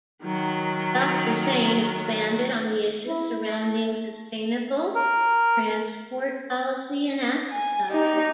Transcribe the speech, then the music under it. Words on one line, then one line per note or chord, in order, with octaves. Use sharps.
Doctor Sane expanded on the issues surrounding Sustainable Transport Policy in Africa.
D#3 F#3
E4
A3
A#4
G#5
D#4 G4